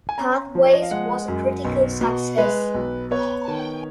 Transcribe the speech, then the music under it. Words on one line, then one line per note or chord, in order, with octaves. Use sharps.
"Pathways" was a critical success.
G#5
C#4 A#5
F3
C#5
D#5
F5
G#3 F#5
F#2
B1
B2
G#3 B4
B1
B3 C#5
D#3